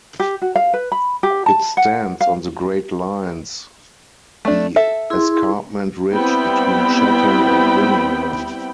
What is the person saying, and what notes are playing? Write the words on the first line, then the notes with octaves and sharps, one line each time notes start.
It stands on the Great Lines, the escarpment ridge between Chatham and Gillingham.
G4
F#4
F5
B4
B5
G4
A5
F#5
F5
A3 D4
A4 E5
E4 G#4 C6
G3 B3 C4 E4 G5 B5